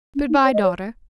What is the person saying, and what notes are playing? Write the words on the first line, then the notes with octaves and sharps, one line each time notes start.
Good-bye, daughter.
C#4
D#4
C#5
D#5
C#5